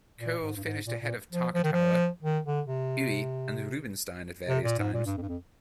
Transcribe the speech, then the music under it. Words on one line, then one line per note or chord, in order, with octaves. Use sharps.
Colle finished ahead of Tartakower, Euwe and Rubinstein at various times.
A#2
G#2
G2
G#2
A#2
A#2
F3
F3
D#3
F3
D#3
D3
C3
C3
A#2
G#2
A#2
G2
F2
G2
F2